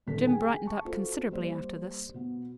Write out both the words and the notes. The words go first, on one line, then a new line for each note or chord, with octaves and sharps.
Jim brightened up considerably after this.
D#1 G#1 A4 B6
G#4 G5 G#5
A5 C#6
F4 F#4 A4 C5
G3 A#3 C5 D5
B2 B3